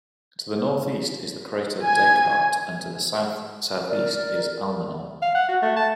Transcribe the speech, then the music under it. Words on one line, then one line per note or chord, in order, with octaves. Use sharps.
To the northeast is the crater Descartes, and to the south-southeast is Almanon.
G#5 G#6
A#4 D5
F5
F#5
F#4
A3
A5